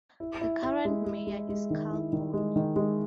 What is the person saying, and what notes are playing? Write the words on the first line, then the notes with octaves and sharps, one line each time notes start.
The current mayor is Karl Bonny.
E4
E4
E4
G#3
G#3
G#3
G#3
D#3
E4
D#3
G#3
D#3
G#3